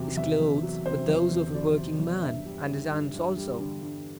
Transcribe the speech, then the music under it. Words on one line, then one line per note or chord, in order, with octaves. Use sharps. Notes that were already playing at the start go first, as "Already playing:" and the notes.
His clothes were those of a working man, and his hands also.
Already playing: E2 C3 F#3
E2 E5
E2
F#3
C3 C5
E2
E2
F#3 D5
C3
E2
G2 E5
G3
D3
G2
G2
G3
D3
G2